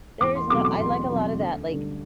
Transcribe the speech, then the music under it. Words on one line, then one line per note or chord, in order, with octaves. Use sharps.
there is no I like a lot of that, like,
E2 D6
C6
B2 F#3 A3 C4 D6
D6
E2 C6
B2 F#3 A3 C4
D2
D3 G3 D4